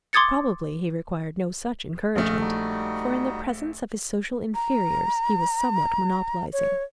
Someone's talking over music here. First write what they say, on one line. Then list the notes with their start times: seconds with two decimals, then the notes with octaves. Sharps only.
Probably he required no such encouragement, for in the presence of his social inferiors he was somewhat monopolizing.
0.13 C6 D6 D#6 G#6 A6 C#7
2.16 A#1 A3 A4 D#5 F5
2.41 G3 D#4 F#4
4.54 A#5
6.53 C#5